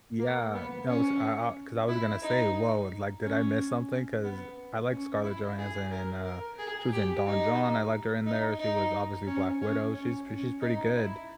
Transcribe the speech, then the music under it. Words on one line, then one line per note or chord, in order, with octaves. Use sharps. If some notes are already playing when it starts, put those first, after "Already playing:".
Yeah. No, s I I 'Cause I was gonna say, "Woah. Like, did I miss something?" 'cause I like Scarlett Johansson, and, uh, she was in Don Jon, I liked her in there, she was obviously Black Widow, she's pr she's pretty good,
A#3
B3
C#4
E4
D#4
C#4
B3
C#4
E4
G#4
A#4
A#4
G#4
G4
D#4
D#4
D#4
C#4
C#4
C#4
C#4
D#4
E4